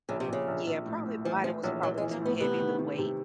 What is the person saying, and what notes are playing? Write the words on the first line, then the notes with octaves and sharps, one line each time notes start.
Yeah, probably the body was probably too heavy, the weight
A#1 C#3
C3
A#1 C#3
A#1
A#1
A2
A2
E3 F3
E3 F3
A#1 F#3
A#1 F#3
G#3
E3
A#3
A2 B3
C3 B3
D#3
D#3
C3